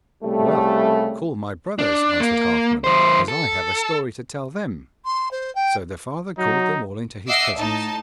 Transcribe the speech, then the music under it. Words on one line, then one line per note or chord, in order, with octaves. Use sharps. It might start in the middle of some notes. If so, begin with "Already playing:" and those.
'Well, call my brothers,' answered Halfman, 'as I have a story to tell them.' So the father called them all into his presence.
C2 C#3 G3 A3
D4
A#3
E3 C5
A4
C6
C5
G5
F#3 D#4
D#5 E5 F#5 D6 E6 C7
A2 D#4 A5